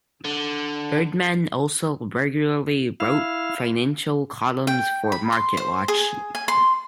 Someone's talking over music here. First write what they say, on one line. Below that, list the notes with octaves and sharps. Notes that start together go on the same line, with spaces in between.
Erdman also regularly wrote financial columns for Marketwatch.
D3
E4 F5
G5
B5
C6
C5
G#4
G#5
C6